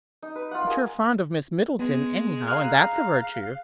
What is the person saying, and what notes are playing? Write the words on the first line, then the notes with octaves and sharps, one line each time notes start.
"But you're fond of Miss Middleton anyhow, and that's a virtue."
D#4
B4
F4 F5 F#5
G#4 A#4
G#3 B3
F5 A#5 F6 F#6